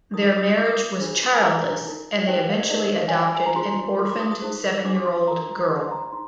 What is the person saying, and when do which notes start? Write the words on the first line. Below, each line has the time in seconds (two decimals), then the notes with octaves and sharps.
Their marriage was childless, and they eventually adopted an orphaned seven-year-old girl.
0.14 D#4 A#4 D#6
0.37 D#6
0.57 F4 A#4 D6
0.65 D#6
0.74 D6
1.00 D4 F4 G#4 C5
1.35 G#5
1.42 F4 A#4 A#5
1.85 D#4 A#4
2.28 D#4 G4 C5 G5
2.39 G5
2.50 F5
2.61 D#5
2.70 D#4 G#4 C5 D5
2.85 D#5
2.99 F5
3.08 G#5
3.13 F4 C5 G5
3.24 G#5
3.35 G#5
3.46 A#5
3.56 F4 G#4 C5 C6
3.99 F4 A#4 C6
4.09 D6
4.20 D#6
4.32 D#6
4.42 D#4 G#4 C5
4.84 D4 F4 G#4 C5 D6
4.96 D6
5.05 C6
5.28 F4 A#4 A#5
5.69 D4 G#4 C5 C6
5.91 A#5
6.12 D#4 C6